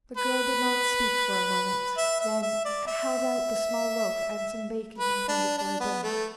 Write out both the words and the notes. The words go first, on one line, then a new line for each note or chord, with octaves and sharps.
The girl did not speak for a moment, then held out the small loaf and some bacon intended for her dinner.
B4
E5
E5
E5
D5
E5
B4
D4
D4
B3
A3